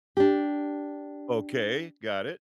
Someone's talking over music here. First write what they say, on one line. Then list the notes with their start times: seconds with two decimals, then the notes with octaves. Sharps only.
Okay. Got it.
0.17 D4 G4